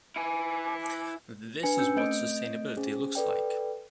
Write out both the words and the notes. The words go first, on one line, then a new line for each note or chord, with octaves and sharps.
This is what sustainability looks like.
E4 G#5
D4 B4 G#5 C#7
C#4 E6 G6 C#7
A3 C4 D#5 G6 D7
C#4 G#4 C5
A4 B4 D5 G5